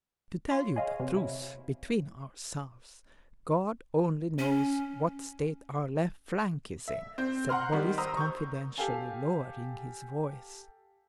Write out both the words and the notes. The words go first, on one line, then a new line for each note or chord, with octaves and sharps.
"To tell you the truth, between ourselves, God only knows what state our left flank is in," said Boris confidentially lowering his voice.
F4 C#5 C6
G#4 D#5 F5
C3
E4
C#4
E5
C4 G6
F#5 A#5 C6 F6
D#3 G3
C5 A#5 D#6 E6
C#6 G6
G4 A4 F5 G#5